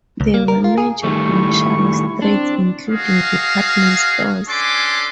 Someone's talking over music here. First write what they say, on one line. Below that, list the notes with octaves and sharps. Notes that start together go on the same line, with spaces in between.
There were major commercial streets including department stores.
C#2
A#3
A#4
F4
G#4
D#3 G3 A3 C#6
E4
C4 D4
F#4 G#4 D#5 F5
C#4 D4 A4 G#5 C6 D6